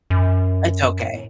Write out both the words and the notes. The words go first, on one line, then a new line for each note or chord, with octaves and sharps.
It's okay.
F#2
A2